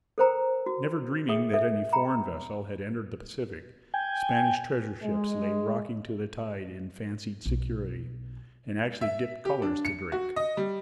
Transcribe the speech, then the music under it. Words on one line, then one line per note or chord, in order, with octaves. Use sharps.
Never dreaming that any foreign vessel had entered the Pacific, Spanish treasure-ships lay rocking to the tide in fancied security, and actually dipped colours to Drake.
A4 A#4 C5 G5 A#5
F#4
G#4 E5 G5 D#6
A4 E5
G5 A#5 B5
G5 G#5
G#3
B1
E5
G4
D4
C#7
F#4
D#5
G3